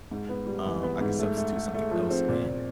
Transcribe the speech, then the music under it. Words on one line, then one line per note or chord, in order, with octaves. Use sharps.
um I could substitute something else in."
G#2
B3
G3
E3
B3
G#2
A3
A3
A3
A3
F3
C4
A#2
A#2